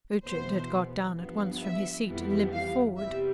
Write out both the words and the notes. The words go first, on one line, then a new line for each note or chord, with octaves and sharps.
Ughtred had got down at once from his seat and limped forward.
E2 B2 B3 C5
G2 F3 B3
E5
F2 E3 G3 B3
F5
C3 G3 B3 E5